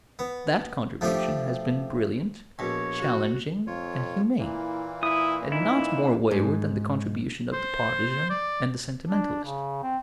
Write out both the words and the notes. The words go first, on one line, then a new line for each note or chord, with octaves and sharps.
That contribution has been brilliant, challenging, and humane, and not more wayward than the contribution of the partisan and the sentimentalist.
B3
F3 A3 D4 G4
A#1 B2 C#5
F#4
F2 F4 C#5
A#2 E3 A#3 E4
E4 D#6
D#4 E4
G#2
C5
D5
D4
C#3
C4